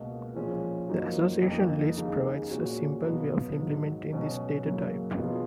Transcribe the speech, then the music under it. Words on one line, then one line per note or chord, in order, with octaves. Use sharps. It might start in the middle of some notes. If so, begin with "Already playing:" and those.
The association list provides a simple way of implementing this data type.
Already playing: C#2 B2 A#3
A#2 F3 G#3 C#4 G#4
F#2 F3 A#3 D#4 F#4
F2 F3 A#3 D#4
D#2 C#3 G#3 D#4
A#2 G#3 C#4 F#4
C#2 B2 F#3 B3
G#2 D#3 F#3
C#2 B2 F#3 C#4
F#2 C#3 F#3 A#3
B2 F#3 B3 F4 G#4